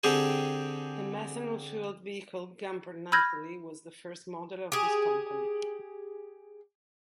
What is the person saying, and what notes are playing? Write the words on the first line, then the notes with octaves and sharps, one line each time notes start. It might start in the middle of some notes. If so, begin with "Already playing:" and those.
The methanol fueled vehicle Gumpert Nathalie was the first model of this company.
D3 C4 G4 G#4 G#5
B5 E6 F6 G6 G#6 A#6
G4 G#4